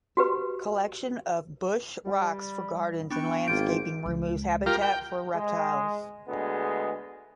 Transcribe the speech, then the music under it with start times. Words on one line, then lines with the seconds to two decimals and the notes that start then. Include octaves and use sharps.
Collection of bush rocks for gardens and landscaping removes habitat for reptiles.
0.17 F#4 G4 B4
2.05 G3
3.11 B3 D4 G5 C#6
3.48 G#1 A#3 F4 G5 G6 D7
4.06 C#2 G#3
4.66 F4 G4 A#4
4.82 G5
5.34 G#3
6.27 D2 G#3 B3